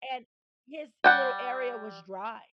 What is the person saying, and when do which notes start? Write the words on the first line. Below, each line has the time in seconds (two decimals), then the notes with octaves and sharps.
and his little area was dry.
1.04 G3 F#5 G5